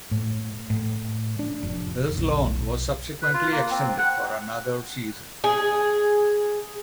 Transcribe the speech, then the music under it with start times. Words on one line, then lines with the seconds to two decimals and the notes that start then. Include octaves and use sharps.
His loan was subsequently extended for another season.
0.11 A2
0.70 A2
1.39 D4
1.63 F1
2.18 B1
3.22 B4
3.34 F4
3.52 A#3
3.70 C4
3.98 F#5
5.44 G#4